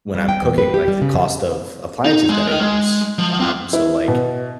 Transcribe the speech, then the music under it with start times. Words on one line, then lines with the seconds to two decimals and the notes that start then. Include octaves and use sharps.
when I'm cooking, like, the cost of appliances that I use, um, so, like,
0.15 G3
0.29 G5
0.42 E2
0.58 B4
0.74 G4
0.88 G3
1.02 C#3
1.14 F2
2.05 D#4
2.29 G#3
2.48 A#4 D#5
2.61 G#3
3.18 F3
3.40 C4 F4
3.73 E4
4.08 B2